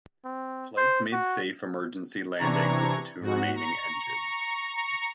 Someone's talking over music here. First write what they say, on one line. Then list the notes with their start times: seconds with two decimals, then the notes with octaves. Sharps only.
The flights made safe emergency landings with the two remaining engines.
0.25 C4
0.77 C5
1.13 F#4
2.38 C3 E3 D4 A#5 C#6 G#6
3.20 G#2 F#4
3.56 A#5 C#6 C#7